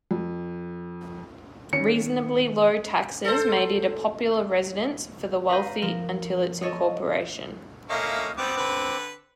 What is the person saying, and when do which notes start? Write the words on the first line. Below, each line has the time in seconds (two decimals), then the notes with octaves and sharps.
Reasonably low taxes made it a popular residence for the wealthy until its incorporation.
0.11 F2
1.73 D#3 C#4 C#7
3.24 A4 C5
5.49 B4 F5 A#5 D#6 G6
5.82 F3 A#4
6.62 A4 C#5 D#5 D#6
7.90 A3 A#3 C#4 E4 D#5 F5
8.37 G3 B3 C4 B4 D6
8.57 D3 B4